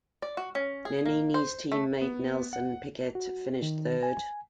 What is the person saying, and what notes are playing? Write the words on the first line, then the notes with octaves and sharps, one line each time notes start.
Nannini's team-mate Nelson Piquet finished third.
D5
F#4
C#4
G#4
A#3
C5
A3
B3
F#5
F#4
D#3
G#5